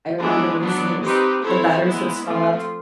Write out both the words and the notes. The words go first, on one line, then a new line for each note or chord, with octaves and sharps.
I remember those days. The batteries would swell up.
E3 G#3 B3 D4
F#3 B3 D4
C4 D#4 G4 B4
C4 E4 A4 C#5
G#3 B3 E4
F3 A3 C4 F4